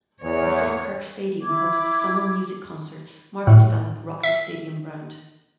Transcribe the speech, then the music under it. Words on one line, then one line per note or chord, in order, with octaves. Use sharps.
The Falkirk Stadium hosts summer music concerts, marketed under the "Rock The Stadium" brand.
E2 C#5
E4 D6 G#6
A2
E5